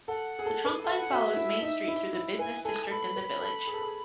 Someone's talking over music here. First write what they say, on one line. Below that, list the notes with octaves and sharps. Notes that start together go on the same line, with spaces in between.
The trunkline follows Main Street through the business district in the village.
A4 F#5
G#4
A4
B4
A4 E5
F#5
F#4 E5
E4
D#4
E4
E4
B4 G#5
A4 G#5
A4 B5
B4
A4
G#4
A4
G#4